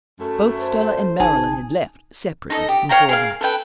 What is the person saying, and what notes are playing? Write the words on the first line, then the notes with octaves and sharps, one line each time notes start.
Both Stella and Marilyn had left, separately, before that.
F#2 A3
C5
G1 D#4 G#4 A5
D#4 A4 D#5
G4
C#5 F5 G5 A#5
G#4 A#4 F5
A4 B4 G5